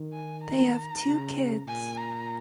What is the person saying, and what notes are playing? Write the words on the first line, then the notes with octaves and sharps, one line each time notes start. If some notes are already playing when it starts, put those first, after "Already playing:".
They have two kids.
Already playing: D#3
G#5
A#5
C#3
A#2 G#5
A#5